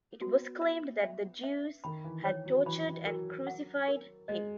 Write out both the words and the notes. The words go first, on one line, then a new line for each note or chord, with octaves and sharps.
It was claimed that the Jews had tortured and crucified him.
B3 F#4
E5
E5
E5
D#3 B5
E3
C#5
F#3
E3 B5
F#3 A#4
F#5
A#4
G#3 D#5